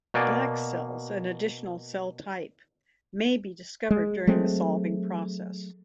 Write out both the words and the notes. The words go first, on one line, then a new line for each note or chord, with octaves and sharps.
"Black" cells, an additional cell type, may be discovered during the solving process.
B2 A#3 D5 G#5
G#3
F#3 G#3 A3 C4